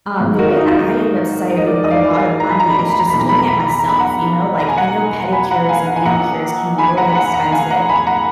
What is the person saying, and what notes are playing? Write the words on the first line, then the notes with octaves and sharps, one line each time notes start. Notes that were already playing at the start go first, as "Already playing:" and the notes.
um, the way that I end up saving a lotta money is just doing it myself, you know, like, I know pedicures and manicures can be very expensive,
G#1 G#2 D#3
F#4 A#4
F4
D#4
F4
D#4
D#5
A#4 D5
D#5
D5 F5
F5 G#5
A#5
B5
A#5
B5
A#5
B5
A#5
B1 A#2 B5
A#5
B5
A#5
B5
A#5
B5
A#5
B5
F#5 A#5
A#5
G#5
F#5 A#5
G#5 B5
F#5 A#5
F5 G#5
F#5
G#5
A#1 A#2 F#5 A#5
G#5 B5
F#5 A#5
B5
F#5 A#5
F#5 A#5
F5 G#5
F#5 A#5
G#5 B5
F#5 A#5